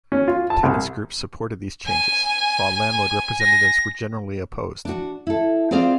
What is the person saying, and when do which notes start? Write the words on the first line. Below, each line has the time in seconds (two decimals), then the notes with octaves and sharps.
Tenants' groups supported these changes, while landlord representatives were generally opposed.
0.12 C#4
0.28 F4
0.50 A5
0.63 C2
1.86 G#5
3.40 A#6
4.85 D4 F#4
5.27 E4 A4
5.71 C4 F4 G#4 C5 D5 F5